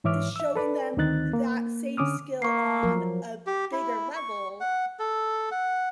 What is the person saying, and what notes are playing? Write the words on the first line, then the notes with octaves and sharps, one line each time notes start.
eh, showing them that same skill on a bigger level
G#2 E3 C#5 E5 D6 F6
E5 E6
A4 B4 D5
D2 D#3 C4 D#4 F#6 A6
A#3
D3 C#4 D6 D#6 F6
A#3 C#6 C7
F3 F#3 A#4
G4
E4
C#6
F#5
A4
F#5